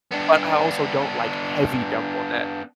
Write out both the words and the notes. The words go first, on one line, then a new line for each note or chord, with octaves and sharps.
But I also don't like heavy dump on that.
B3 D4